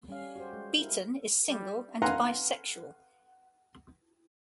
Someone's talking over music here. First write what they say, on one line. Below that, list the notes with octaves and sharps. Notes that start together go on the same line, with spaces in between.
Beaton is single and bisexual.
G3 C#4 F5
F#4 G4 C5
G#3
E4 A#4
G3
B4 F5 F#5 G#5 A#5 C6